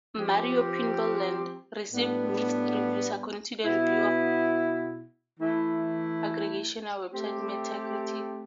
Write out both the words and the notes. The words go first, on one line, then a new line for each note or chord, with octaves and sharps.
"Mario Pinball Land" received "mixed" reviews according to the review aggregation website Metacritic.
F3 C4 G4
A2 G3 B3 D4
B2 B3 E4
E3 A3 E4
A3 C4 G4